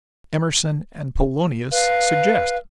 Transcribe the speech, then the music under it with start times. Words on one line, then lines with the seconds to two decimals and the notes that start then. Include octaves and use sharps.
Emerson and Polonius suggest.
1.72 B4 F5